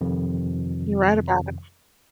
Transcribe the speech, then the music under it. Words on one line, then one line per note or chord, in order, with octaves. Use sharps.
You're right about it.
F2 C3 D#3 F3